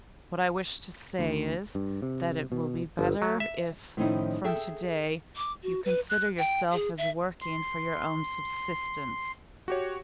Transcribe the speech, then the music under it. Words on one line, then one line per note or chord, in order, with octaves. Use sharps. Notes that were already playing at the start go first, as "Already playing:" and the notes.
What I wish to say is, that it will be better if from to-day you consider yourself as working for your own subsistence.
D2
G2
C3
B2
G1
F#3
E5
A2 D#3 F3 C#4 D#4 E4
G#4 A4 E5 G5
D6
F#4
B4
F#6
G5
G#4
E5
C6
F#4 G4 C#5